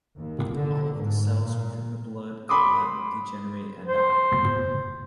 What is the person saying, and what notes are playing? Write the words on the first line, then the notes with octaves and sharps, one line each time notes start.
All of the cells within the blood clot degenerate and die.
D#2
D3
G#2
A#2
B5 C6 D6 D#6
C5